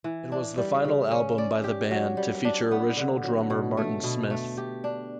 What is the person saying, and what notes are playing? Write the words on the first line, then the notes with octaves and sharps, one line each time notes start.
It was the final album by the band to feature original drummer Martin Smith.
E3
D4
G3
C#3
C#4
D5
G4
F#3
G3
D4
B3
D3
F#3
B2
A3
B2
A3
G4
D4